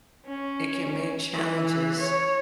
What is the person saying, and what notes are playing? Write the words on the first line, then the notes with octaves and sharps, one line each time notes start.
it can make challenges
C#4
E3
C#5